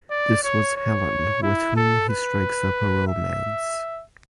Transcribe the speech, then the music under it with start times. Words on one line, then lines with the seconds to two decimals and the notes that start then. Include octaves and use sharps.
This was Helen, with whom he strikes up a romance.
0.10 D5
0.43 C#5
0.76 C#5
1.43 E4
1.76 A4
2.09 B4
3.08 E5